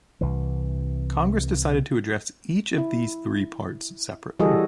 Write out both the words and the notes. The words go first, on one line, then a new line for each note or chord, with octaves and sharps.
Congress decided to address each of these three parts separately.
C2 E3
E4
E3 G3 F#4 G#4 A4 D#5